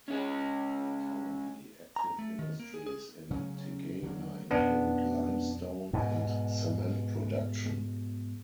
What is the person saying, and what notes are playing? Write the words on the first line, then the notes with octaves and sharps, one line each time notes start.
Currently active industries in Tagawa include limestone and cement production.
G#3 C#4
A#5
A3
D#3
A#3
G#4
G#4
C#3 F#3 C#4
D3 F#3 A#3
F2 B2 B3 C#4 D4
G#2 B2